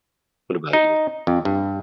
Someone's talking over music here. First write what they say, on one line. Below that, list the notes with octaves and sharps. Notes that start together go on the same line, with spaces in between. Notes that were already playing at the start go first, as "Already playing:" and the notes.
What about you?
D#4
F2
G2